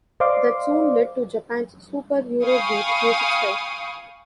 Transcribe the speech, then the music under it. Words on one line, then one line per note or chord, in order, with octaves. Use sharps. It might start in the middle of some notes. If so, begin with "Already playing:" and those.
That soon lead to Japan's Super Eurobeat music style.
C5 D5 D#5 F5 C6 D6
F5 G5 G#5 B5 C#6 D#6